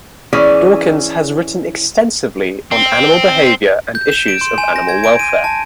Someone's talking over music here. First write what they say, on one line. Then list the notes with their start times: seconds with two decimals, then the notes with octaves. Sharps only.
Dawkins has written extensively on animal behaviour and issues of animal welfare.
0.33 E3 C#4 G#4 D5
2.72 C4
3.95 G6
4.12 E7
4.28 D7
4.41 C6
4.58 G#5
4.76 A#6
4.89 G#6
5.04 D7
5.19 D#7
5.44 A5